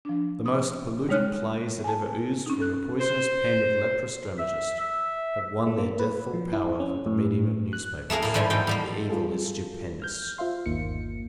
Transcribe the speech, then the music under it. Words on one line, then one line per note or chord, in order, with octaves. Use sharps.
The most polluted plays that ever oozed from the poisonous pen of leprous dramatist have won their deathful power through the medium of newspapers; the evil is stupendous!
F3 D4
D#6
G3 G#3 D#4 C#5 F6 F#6
G#5 A5
C#4 D#4
A4 F#6
C5
E5
E5
A3
A#3
B4
F3
E4
C#4
A2
F#6
A3 A#3 G#4 A#4 F5
A2 A#3
G#2 F3 G3 E4 G#5
E2 B2 D#4 G5
A2 G3 A#3
G3 F4 G#4 A4
F6 G6
F4 C5 E5 F5 C6
G1 D#2 A#3 D#4 C#7